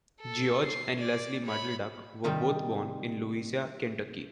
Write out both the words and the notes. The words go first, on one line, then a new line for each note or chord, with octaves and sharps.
George and Leslie Muddleduck were both born in Louisa, Kentucky.
A4
C7
D5
C#5 B5
C3 D#3 G3 D#4